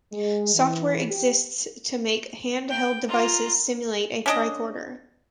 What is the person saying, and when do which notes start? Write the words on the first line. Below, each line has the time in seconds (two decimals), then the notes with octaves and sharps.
Software exists to make hand-held devices simulate a tricorder.
0.12 G#3
0.54 E3
1.10 G4
2.69 G5
3.08 F4 A#5
4.26 C#4 D4 D#5